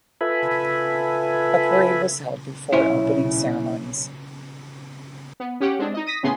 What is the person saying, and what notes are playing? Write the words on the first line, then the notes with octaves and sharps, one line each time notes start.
A parade was held before opening ceremonies.
F4 A4 B4 E5 G#5 B5
B1 A#2 C#3 C#4 E4 F4
B3
C#4 G4 F#5
G#3 C4 D4
D#4 D#5
D#6 A#6 B6
A2 C#3 A3 B3 G#4 C6